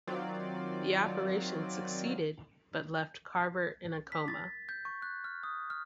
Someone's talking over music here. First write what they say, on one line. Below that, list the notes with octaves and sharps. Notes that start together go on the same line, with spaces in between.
The operation succeeded, but left Carver in a coma.
D#3 F#3 C4 F4 D5
B6
A6
G6
C#6
F#6
F6
D#6
F6